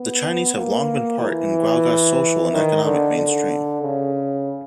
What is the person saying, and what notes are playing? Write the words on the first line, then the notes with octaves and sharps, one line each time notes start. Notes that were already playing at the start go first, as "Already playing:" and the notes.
The Chinese have long been part in Guagua's social and economic mainstream.
Already playing: B3
A#3
E3
D#3
D3
D3
C#3